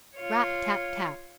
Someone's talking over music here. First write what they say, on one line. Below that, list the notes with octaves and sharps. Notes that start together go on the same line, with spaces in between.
Rap! tap! tap!
F4 C#5